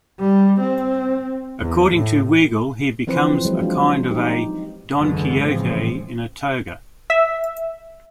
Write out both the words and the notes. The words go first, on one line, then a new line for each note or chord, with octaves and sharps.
According to Weigel, he becomes a kind of "a Don Quixote in a toga".
G3
C4
E2
A2
E3 F3 C4 B4 C5
F3 F#3 G#3
D4 F4
D#4 G4
F#1 D#2 D3 E3 F#3 G#3
A2 C#3 E3 F3 G#3 C4
E5